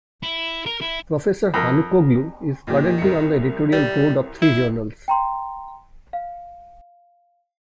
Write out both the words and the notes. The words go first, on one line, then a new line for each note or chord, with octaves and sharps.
Professor Hanukoglu is currently on the editorial board of three journals.
E4
A#4
E4
F2 A#4
A#2 D#3 F3 G4
C2 C#7
G3
E4
G5 A#5 C6
F5